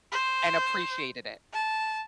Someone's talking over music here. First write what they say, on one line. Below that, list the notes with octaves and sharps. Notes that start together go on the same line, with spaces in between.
and appreciated it.
C5
A5